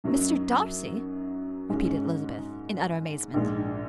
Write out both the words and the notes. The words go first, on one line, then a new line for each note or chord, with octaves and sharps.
"Mr. Darcy!" repeated Elizabeth, in utter amazement.
F#2 F#3 D#4 F#4
G#2 G#3 C#4
A#1 G#2 G#3